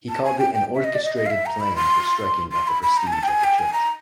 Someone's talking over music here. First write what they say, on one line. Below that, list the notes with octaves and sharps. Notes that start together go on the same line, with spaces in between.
He called it an orchestrated plan for striking at the prestige of the Church.
A5
G#5
G5
G5
E5
D#5
D5
D#5
D#5
F5
E5
A#5
B5
C6
C6
B5
B5
A#5
G#5
A5
G5
G#5
G5
G#5
A#5